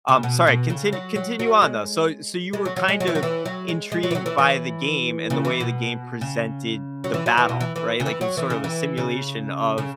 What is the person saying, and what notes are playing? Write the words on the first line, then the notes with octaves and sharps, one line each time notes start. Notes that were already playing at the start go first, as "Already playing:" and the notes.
Um, sorry, continu continue on, though. So so you were kind of intrigued by the game and the way the game presented the battle, right? Like, it was sort of a simulation of
C#3
B2
B2
C#3
F#3
F#3
F#3
G#3
G#3
F#3
F#3
G#3
F#3
E3
F#3
E3
F#3
G#3
G#3
F#3
E3
F#3
E3
E3
C#3
E3
B2
C#3
F#3
E3
F#3
E3
B2
E3
E3
C#3
E3
F#3
E3
C#3
E3
C#3
C#3